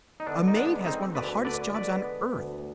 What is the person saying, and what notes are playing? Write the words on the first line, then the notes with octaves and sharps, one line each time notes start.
A maid has one of the hardest jobs on earth.
D#4
D3 B3 D4
D#4
G#3 B3 D4
B3 C4 D#4
D2 B4 D5
D3 B4 D5
G#3 B4 D5
B3
D2